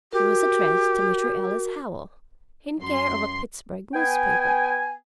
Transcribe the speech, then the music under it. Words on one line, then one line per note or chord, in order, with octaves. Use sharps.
It was addressed to Mr. Ellis Howell, in care of a Pittsburgh newspaper!
F#4 G4 A#4
F#2 C6
B3 G5 G#5